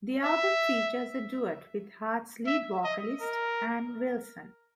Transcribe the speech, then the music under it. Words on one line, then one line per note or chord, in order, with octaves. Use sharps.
The album features a duet with Heart's lead vocalist, Ann Wilson.
E5
E5
D#5
A#4